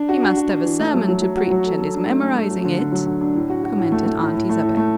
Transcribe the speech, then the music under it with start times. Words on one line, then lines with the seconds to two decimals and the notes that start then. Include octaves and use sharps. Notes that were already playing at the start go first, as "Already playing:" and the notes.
"He must have a sermon to preach and is memorizing it," commented Aunt Isabel.
Already playing: D4
0.09 F#4
0.23 D4
0.37 F#4
0.51 D4
0.65 E3
0.80 A3
0.94 F#3
1.08 F#3
1.21 F#3
1.36 F#4
1.50 F#3
1.65 A4
1.79 A4
1.94 D4
2.07 A3
2.21 A3
2.35 A3
2.50 F#3
2.65 D3
2.78 D3
2.92 F#3
3.07 D3
3.21 D4
3.35 A2
3.50 F#4
3.63 F#4
3.78 A2
3.92 A3
4.06 A3
4.21 A2
4.34 A2
4.49 A3
4.63 A2
4.77 A3